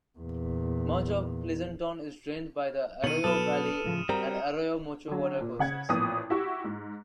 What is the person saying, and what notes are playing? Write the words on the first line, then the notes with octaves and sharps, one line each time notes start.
Much of Pleasanton is drained by the Arroyo Valle and Arroyo Mocho watercourses.
E2 A#2
B2 D#3 C#7 D#7 F#7
B2 F#3 A4 B4 D#6 F6 E7
A2 C#3 F3
G3 C4 F#4 A#4 A#5
D3 F#3
A#2
C#3 F#5 G#6
A1 A#2 F3 B3 D#6
E4 F#4 G4 C#6
G#2